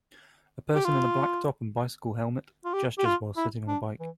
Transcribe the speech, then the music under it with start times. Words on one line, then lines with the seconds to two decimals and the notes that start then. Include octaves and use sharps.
A person in a black top and bicycle helmet gestures while sitting on a bike.
0.75 G4
0.85 F4
2.65 F4
2.74 G4
2.98 G4
3.05 F4
3.37 E4
3.68 D4
4.00 E3